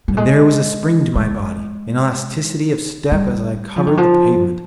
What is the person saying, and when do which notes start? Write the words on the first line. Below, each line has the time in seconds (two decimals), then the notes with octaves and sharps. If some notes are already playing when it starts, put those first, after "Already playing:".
And there was a spring to my body, an elasticity of step as I covered the pavement.
0.08 G3
0.17 G#3
1.15 G#3
3.12 G3
3.76 F3
3.87 D#3
3.97 F3